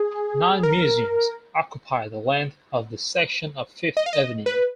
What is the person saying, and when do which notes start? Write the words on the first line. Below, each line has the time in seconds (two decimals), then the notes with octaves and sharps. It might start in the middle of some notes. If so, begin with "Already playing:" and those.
Nine museums occupy the length of this section of Fifth Avenue.
Already playing: G#4
0.63 A#4
3.97 D#5
4.06 F5
4.13 D#5
4.46 B4